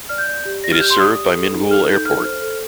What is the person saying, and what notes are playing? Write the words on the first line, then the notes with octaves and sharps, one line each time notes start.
It is served by Minvoul Airport.
D5 F6
G6
D5
G4
D5 A#6
F6
G4 G6
C6
D5 D#6
G4
A4
D#4
A4 F6
D#4 G6
A4 F6
C5
A4